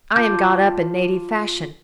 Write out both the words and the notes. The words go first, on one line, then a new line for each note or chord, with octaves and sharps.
I am got up in native fashion.
F4 A5 D6 G6